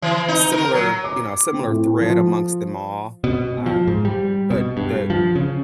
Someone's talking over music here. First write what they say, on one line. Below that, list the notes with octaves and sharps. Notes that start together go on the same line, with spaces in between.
similar you know, similar thread amongst them all, uh, but the
E3
D#4
A#4
F#3
D6
C4
A2
F3
B2
F3
G#2
G3
B2
G2
F3
C#3